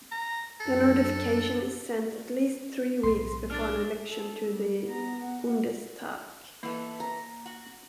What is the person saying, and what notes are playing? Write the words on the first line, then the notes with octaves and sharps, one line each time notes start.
The notification is sent at least three weeks before an election to the" Bundestag".
A#5
F#2 D4 A4 F#6
B1 A2 C6
D4 F6 A6
A4
G3
B3 A#5
F#5
E3 A#3 B3 A4
A#5
F#4